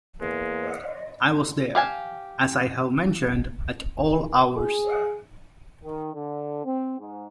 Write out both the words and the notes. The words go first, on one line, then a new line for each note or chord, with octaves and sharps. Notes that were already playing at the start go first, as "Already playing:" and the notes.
I was there, as I have mentioned, at all hours.
E2 G#3 A#3
G4 F5 G#5 A5
G#4
D#3
D3
C4
G#2